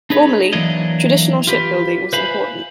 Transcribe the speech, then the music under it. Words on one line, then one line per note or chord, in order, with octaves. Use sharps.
Formerly, traditional ship building was important.
D4 D#4 G#4 B4 C#5 D#5
E3 F#3 A#3 D4 C#5 D#5
F4 G4 B4
B4 C5 E5 F5 G#5 B5